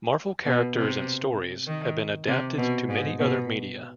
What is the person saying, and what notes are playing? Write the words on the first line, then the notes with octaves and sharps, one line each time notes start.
Marvel characters and stories have been adapted to many other media.
B2
C3
D#3
C3
B2
G#2
B2